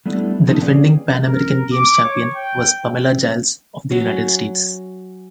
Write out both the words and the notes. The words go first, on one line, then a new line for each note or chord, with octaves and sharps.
The defending Pan American Games champion was Pamela Jiles of the United States.
G3 A3 B3 D4 E4 A4
B2 F3 A#3 D#4 A4
G#4 B4 C#5 D5 F5 G5
A#4
D6
C#5
G5
F#3 C#4